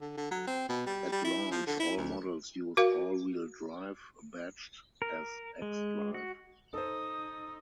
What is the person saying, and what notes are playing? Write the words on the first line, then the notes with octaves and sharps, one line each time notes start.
At launch, all models use all-wheel drive, badged as xDrive.
D3
D3
F#3
C4
B2
G3
G3
E4
F3
D3
E4
D2
F#4 A#4 F5
A#4
G#3
F#4
D#4 A4 C5 D#6